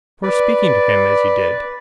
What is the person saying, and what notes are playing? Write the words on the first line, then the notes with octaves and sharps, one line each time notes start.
"For speaking to him as you did."
B4 D5